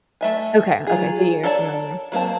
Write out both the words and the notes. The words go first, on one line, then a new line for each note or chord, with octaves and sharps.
Okay, okay, so you're familiar.
A3 E5 G#5
F#3 F4 G#4
A4 A#4 C#5 D5 A5
F#3 A#3 C4 A5